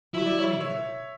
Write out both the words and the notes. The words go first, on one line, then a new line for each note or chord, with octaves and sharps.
Good money, Gregg.
E4 E5
D5
C#5 E5
C#5 E5